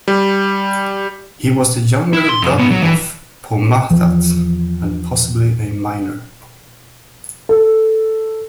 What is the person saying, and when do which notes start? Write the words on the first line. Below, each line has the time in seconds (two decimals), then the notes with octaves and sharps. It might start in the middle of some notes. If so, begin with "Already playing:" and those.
He was the younger brother of Phommathat, and possibly a minor.
0.08 G3
2.13 E4
2.29 C6
2.42 F2
2.58 B1 B3
2.71 F#3
2.83 E3
3.91 E2 F3
7.49 A4